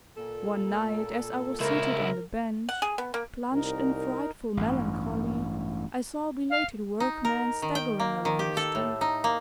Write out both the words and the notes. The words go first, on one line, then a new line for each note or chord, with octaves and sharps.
One night, as I was seated on the bench, plunged in frightful melancholy, I saw a belated workman staggering along the street.
A#2 A4
C#2 E4 A#4
F#5
G#4
B3
A#3
C2 D#4 A#4
A1 G2
F5
D#4
A#4
D#3
G5
A#3
D#3
G4
A4
A2
D#4
A#3